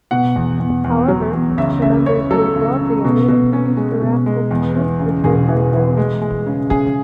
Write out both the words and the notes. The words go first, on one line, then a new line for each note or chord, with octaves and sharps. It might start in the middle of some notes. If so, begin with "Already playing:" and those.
However, the members worked well together and produced a radical plan for church reform.
B2 F#5
E2
E2
E2
F#3
E2
C#2 E5
C#3 E5
C#3 C#5
F#3 A4
C#2
C#3
B2
B2
C#4
G#3
B2
G#3
E2
E3
C#3
E1 G#4
E3
E3
G#3
G#3
C#3
C#3 G#4